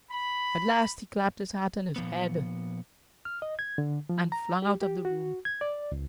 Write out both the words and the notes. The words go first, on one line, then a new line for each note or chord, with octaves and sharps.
At last he clapped his hat on his head and flung out of the room.
B5
A#2 F3 B3
F6
D#5
G#6
D3
F3
A#5
G4
G4
F#4
G#6
D5
C#2